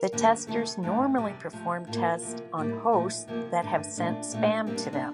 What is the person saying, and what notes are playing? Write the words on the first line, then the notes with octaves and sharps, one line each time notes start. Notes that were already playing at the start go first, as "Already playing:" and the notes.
The testers normally perform tests on hosts that have sent spam to them.
Already playing: A#4
F2 D3 G3 A#3
C3 D#3 A3 A4
G2 D3 A3
F2 C3 G3
C3 F3 A3
A2 G3 A#3 F4
C3 F3 A#3
A2 G3 A#3 D#4
A#2 F3 A3
C3 F3 A#3
G2 D3 A3
A#2 A3 D4
A#2 A3
C3 G3 A#3 C4
D4
C4
D4